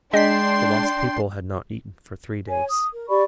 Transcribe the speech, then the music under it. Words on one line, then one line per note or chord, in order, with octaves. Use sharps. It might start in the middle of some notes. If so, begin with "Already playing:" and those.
The lost people had not eaten for three days.
G#3 D4 D#5 G5 C6 B6
C#5 G#5
D#6
A#4
G4 D5 B5 C#6